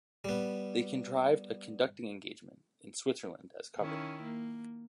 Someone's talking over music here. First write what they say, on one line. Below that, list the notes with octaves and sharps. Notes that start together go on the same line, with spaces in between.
They contrived a conducting engagement in Switzerland as cover.
G3 B3
D#3 C#4 E4
A#3